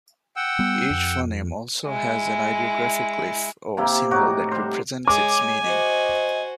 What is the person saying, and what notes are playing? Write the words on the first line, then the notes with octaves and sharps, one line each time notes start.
Each phoneme also has an ideographic glyph or symbol that represents its meaning.
F#5 G5 E6
G3 B3
F2
G#3 E4
C3 A#3 E4
A2 D#4 F#4 D6
G3 C5
G#3 C#5 G#5 D6
F#4 C5 D#5